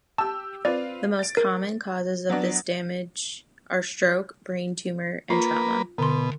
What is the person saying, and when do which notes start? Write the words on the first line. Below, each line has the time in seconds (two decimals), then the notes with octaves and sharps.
The most common causes of this damage are stroke, brain tumor, and trauma.
0.18 G4 A5 E6
0.65 C4 F4 B4 D5
1.19 A6 D7
1.37 A#4
2.29 F#3 B3 D4
5.30 A#3 F4 B4
5.98 B2 D3 C6